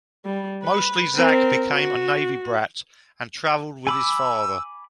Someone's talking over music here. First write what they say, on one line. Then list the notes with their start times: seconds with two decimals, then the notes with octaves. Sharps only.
Mostly Zack became a Navy brat and travelled with his father.
0.25 G3
0.64 B4
1.15 C4 A#4
1.70 F#4
3.87 G#5 B5 D6 E6